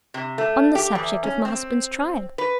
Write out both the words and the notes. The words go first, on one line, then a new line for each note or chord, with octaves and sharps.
"On the subject of my husband's Trial."
C3
A3
G4
E2
C#4
C4
B4